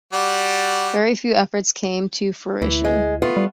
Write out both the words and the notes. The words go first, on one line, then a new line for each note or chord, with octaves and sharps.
Very few efforts came to fruition.
G3 F#4 D5
D2 E3
G#3
A3 B3 F4
G3